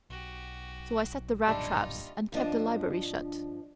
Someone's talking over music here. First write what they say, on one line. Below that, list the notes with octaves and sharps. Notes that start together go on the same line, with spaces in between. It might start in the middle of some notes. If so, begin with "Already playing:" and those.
So I set the rat-traps and kept the library shut.
B1 F#4 G4
B1 G2 A#2 G3 D4 D#4 F4 E5
G2 F3 D4 D#5